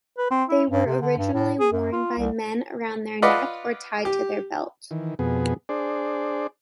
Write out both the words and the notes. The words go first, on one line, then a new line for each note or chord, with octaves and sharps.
They were originally worn by men around their neck or tied to their belt.
B4
C4
E4
G2
C3
D3
G2
A2
G#4
F#2
F4
C2
F4 B4 D5 D#5 F#5
G4
D#3 E3
F2 B2 B3 G#4
D4 G#4 C5 D5